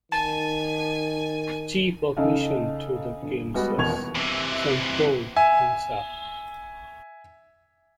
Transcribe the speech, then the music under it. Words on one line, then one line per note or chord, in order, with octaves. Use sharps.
The chief of mission to the games was Somphou Phongsa.
D#3 G#5 A5
C#3 D#4 A4 F5
G1
G3 G#3 B3 F#4
D#1 E2 A#4 C#6 G#6 F7
C3 E3
E5 G#5